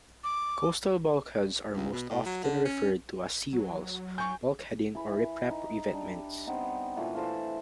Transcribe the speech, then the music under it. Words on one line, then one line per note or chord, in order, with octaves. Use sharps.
Coastal bulkheads are most often referred to as seawalls, bulkheading, or riprap revetments.
D6
C#2
B2
A2
F#3
D3
C#4
F#3
G#5 C#6 G6
E3 B5
D#4
G3 D4
B3 C4 D#4
A#2 E3 A3 B4
E3 A4 C5 F5